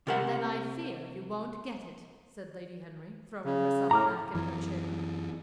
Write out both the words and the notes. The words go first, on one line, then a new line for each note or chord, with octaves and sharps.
"Then I fear you won't get it," said Lady Henry, throwing herself back in her chair.
C3 A#4 F#5
C#3
A2 A#5 D6 F6
F#2 E3